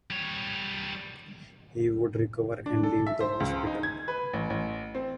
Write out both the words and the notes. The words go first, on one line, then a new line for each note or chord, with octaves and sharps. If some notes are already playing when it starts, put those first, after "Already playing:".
He would recover and leave the hospital.
G3 C#5
D4
A4
E5
C5
C#2
D#4
G#6
B4
A1
A1
C4